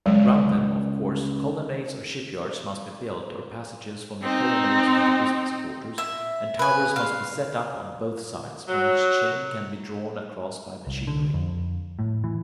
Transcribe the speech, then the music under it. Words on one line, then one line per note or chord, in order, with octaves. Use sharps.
Round them, of course, colonnades or shipyards must be built, or passages from the colonnades to the business quarters, and towers must be set up on both sides, from which chains can be drawn across by machinery.
C#2 F#3 G#3
C4 D#4
E5
B4 G#5
F5
F#3
C2
D3
F2
A2
E3